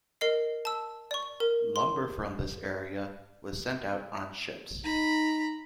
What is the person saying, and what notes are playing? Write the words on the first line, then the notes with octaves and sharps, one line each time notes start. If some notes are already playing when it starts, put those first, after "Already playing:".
Lumber from this area was sent out on ships.
A#4 D#5 C7
A5 E6
D5 C#6
A#4
C6
D#4 A#5 B5